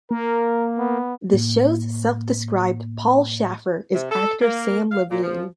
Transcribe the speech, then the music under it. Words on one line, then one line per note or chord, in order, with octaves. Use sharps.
The show's self-described "Paul Shaffer" is actor Samm Levine.
A#3 A#4
B3
A2 A#3
C3
A4
A#3
F5
A#2
F3